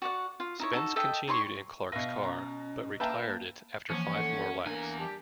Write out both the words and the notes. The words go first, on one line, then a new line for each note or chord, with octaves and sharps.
Spence continued in Clark's car, but retired it after five more laps.
F#4 D5 F#5
F4
D#4 E4 C#5
D#4 F#4 A4
A4 D#5 E5 G5
D#4 C#5 C6 C#6
B2 B4 E5 F5 A#6
C#4 A#5
A#3 B4 E5 F5 G5 A5 A#5
E3 F3 A#3 C#4
A3 F#5
E2 A#3 D4 G#5
G3 G4 A5